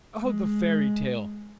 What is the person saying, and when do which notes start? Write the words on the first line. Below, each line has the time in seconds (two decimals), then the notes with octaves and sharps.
"Oh, the fairy tale!"
0.20 G#3